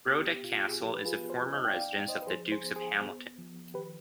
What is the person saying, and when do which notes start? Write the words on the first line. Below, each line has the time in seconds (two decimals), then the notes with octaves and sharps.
Brodick Castle is a former residence of the Dukes of Hamilton.
0.06 B3 G4
0.43 B2 F4
0.68 G#4
0.80 F3 G4
0.95 B4
1.05 F4 G#4
1.17 B3
1.30 G#4 C5
1.53 D#4 C5 D#5
1.65 G5
1.72 D5 F5
1.91 D#4
2.08 C5 D#5
2.22 B4
2.27 F3 G#4 C5
2.52 G#4 C5
2.63 B3
2.76 G#4 C5
3.01 B3
3.38 F3
3.74 D#3 G4 B4